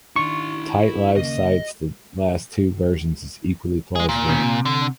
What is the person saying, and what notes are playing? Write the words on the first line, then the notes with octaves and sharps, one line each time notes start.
Tite-Live cites the last two versions as equally plausible.
D#3 D4 E4 C6 C#6
D#2 C#3 A#3 D#5
G#3 G#4
A#2
B2 D#3 C#4
C3
D3